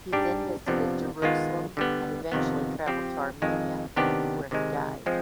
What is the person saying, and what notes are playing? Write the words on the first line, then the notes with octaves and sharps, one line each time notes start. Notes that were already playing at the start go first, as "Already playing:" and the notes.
He then visited Jerusalem and eventually travelled to Armenia, where he died.
G#2 G3 D4 G4
F2 C3 F3 B3 D4
D#3 G#3 B3 F4
D3 G3 B3
F2 C3 D#3 B3
F3 C4 G4
F2 D#3 G#3
C3 D#3 B3 D4 G4
C3 D#3 G#3
F3 G#3 C4